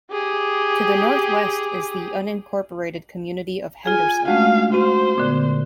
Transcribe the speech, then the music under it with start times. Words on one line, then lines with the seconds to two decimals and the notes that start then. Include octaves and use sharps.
To the northwest is the unincorporated community of Henderson.
0.11 G4 G#4
3.86 F4 G#4 G#5
4.28 G#3 A3 C#4 D4 F#4 F5 F#5
4.74 F#4 C5
5.18 A#2 D3 B3